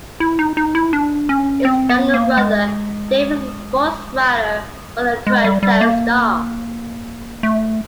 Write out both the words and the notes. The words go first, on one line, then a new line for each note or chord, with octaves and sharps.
His younger brother Dave is a sportswriter for the "Toronto Star".
E4
D#4
D#4
E4
D4
C#4
C4
B3
A#3
G#3
G#3
G3
G3
A#3
A3